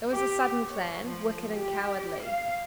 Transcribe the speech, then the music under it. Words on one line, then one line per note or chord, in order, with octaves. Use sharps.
It was a sudden plan, wicked and cowardly.
G4
C#5
F3
G4
F5